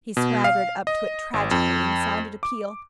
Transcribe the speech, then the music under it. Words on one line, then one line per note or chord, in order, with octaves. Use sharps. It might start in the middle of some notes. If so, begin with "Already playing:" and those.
He swaggered up to it tragically, and sounded a peal.
B2
F5
D#5
G#1
F2
D6